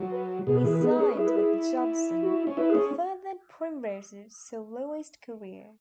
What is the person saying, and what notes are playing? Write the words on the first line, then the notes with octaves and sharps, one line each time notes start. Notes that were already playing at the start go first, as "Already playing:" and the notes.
He signed with Judson who furthered Primrose's soloist career.
Already playing: F#3
B4
B2 G#4
B4
E3 G#4
B4
B3 G#4
B4
C#4 G#4
B4
E4 G#4
B4
G#4
F#4
C#4
E4 B4
G#4
C#4